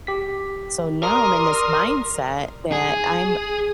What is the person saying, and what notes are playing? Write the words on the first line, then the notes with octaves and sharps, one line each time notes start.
So now I'm in this mindset that I'm
G4 B6
A#4 D5 C6 D#6
G#4